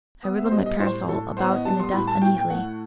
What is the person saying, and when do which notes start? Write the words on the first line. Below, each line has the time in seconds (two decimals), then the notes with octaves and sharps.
I wriggled my parasol about in the dust uneasily.
0.23 B3 D#6
0.38 E5
0.45 C5
0.52 G3 D#5
0.66 D#5
0.80 A2 C5
1.08 A2 A4
1.37 B3 C5
1.51 D#5
1.65 G3 A5
1.80 C6
1.93 A2 B5
2.07 A5
2.22 A2 G5
2.37 G5
2.50 A3 F#5